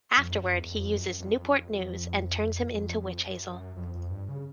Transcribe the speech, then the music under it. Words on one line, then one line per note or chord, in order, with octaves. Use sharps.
Afterward he uses "Newport News" and turns him into Witch Hazel.
F2
F#2
F#2
E2
F2
F#2
F2
F2
F2
F#2
F2
F2
G2
C#3